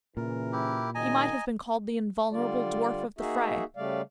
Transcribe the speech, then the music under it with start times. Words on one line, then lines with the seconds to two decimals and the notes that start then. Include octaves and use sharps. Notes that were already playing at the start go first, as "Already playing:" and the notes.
He might have been called the invulnerable dwarf of the fray.
0.17 A#2 C#3 E3 A#4
0.53 E4 G4
0.95 F#1 D#3 D#5 G#5 A#5
2.32 D3 G3 F4 D5
3.19 A#3 D#4 F#4 G#4 E5
3.77 C#3 G3 A3 D5 F5